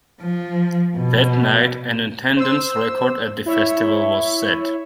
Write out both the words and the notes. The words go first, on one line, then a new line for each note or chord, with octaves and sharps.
That night an attendance record at the festival was set.
F3
B2
C5 E6
E4 C#5 E5